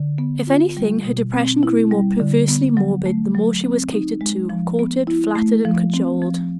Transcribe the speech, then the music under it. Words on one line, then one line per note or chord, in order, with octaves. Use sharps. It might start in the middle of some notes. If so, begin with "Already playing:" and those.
If anything her depression grew more perversely morbid the more she was catered to, courted, flattered, and cajoled.
Already playing: D3
B3
F4
G3
B2
C4
E4
G3
D3
B3
F#3
A3
F#3
C4
D#4
G#3
F3
B3
E4
A3
F3
C4
F3